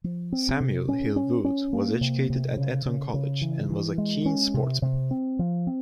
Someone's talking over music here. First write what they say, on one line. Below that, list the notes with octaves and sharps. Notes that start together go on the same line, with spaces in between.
Samuel Hill Wood was educated at Eton College and was a keen sportsman.
F3
C4
C3
C#4
C#4
C#4
A#3
C3
C3
C#3
C#3
C#3
E3
E3
G#3
C#4
C3
C3
C4
F3
C4